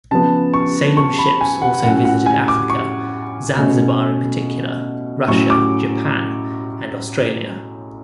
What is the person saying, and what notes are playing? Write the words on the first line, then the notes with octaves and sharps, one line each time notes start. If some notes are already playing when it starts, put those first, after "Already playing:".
Salem ships also visited Africa - Zanzibar in particular, Russia, Japan, and Australia.
C#3 F3 B3 A5
C#6
C#6
B5
G#5
F#5
A2 F#3 C#4 F#5
F#5
G#5
D6
C#6
B2 A3 C#4
A2 F#3 C#4 C#6
D6